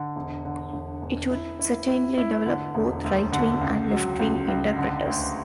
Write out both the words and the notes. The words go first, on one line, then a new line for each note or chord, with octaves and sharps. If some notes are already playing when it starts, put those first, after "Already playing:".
It would certainly develop both right-wing and left-wing interpreters.
Already playing: D3
E1
D3
E1
E1
E4
E4
E4
E4
D3
E1
D2
D3
C#2
F#3
C#2
C#2
D3
D2